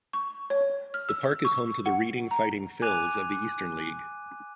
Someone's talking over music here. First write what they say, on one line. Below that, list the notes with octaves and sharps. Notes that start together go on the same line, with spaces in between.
The park is home to the Reading Fightin Phils of the Eastern League.
C#6
C#5
F6
E6
C#6
F#5
A#5
G#5 D6 F#6 G#6 D#7 F7